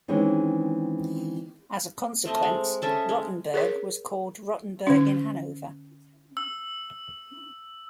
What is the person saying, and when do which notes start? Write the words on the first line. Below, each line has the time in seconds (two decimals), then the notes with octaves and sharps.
As a consequence, Rotenburg was called "Rotenburg in Hannover".
0.08 D#3 E3 G#3 C4 C#4
2.25 A3 C4 D#5
2.42 G#3
2.82 C#4 A4 D#5 E5
3.09 G#3
3.54 G#4 A#4 C#5
4.87 D3 C#4
6.37 E6